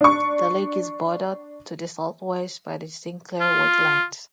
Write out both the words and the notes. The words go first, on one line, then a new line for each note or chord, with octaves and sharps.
The lake is bordered to the southwest by the Sinclair Wetlands.
D4 C#6
F4